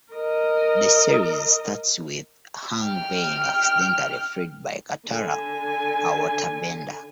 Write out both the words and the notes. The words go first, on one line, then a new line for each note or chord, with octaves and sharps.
The series starts with Aang being accidentally freed by Katara, a waterbender.
A#4 D#5
G5 F6
D3 G#5